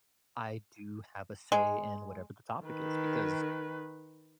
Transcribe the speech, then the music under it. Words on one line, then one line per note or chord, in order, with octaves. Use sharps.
I do have a say in whatever the topic is because
G#3
D#3 B4